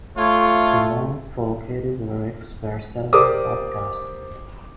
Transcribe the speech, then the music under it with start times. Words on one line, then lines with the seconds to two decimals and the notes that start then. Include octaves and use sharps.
The more provocative lyrics were seldom broadcast.
0.17 A3 F4 C#5
3.13 G4 A#4 C5 D5 D6 D#6